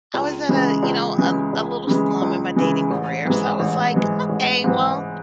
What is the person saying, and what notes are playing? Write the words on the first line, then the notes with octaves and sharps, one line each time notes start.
I was at a, you know, a a little slum in my dating career. So I was, like, okay, well,
C#2
C#3 E3 G#3
C#2
C#3 E3 G#3
C#2
C#3 E3 G#3
C#2
C#3 E3 G#3
A1
G#2 E3 G#3
A1
G#2 E3 G#3
A1
G#2 E3 G#3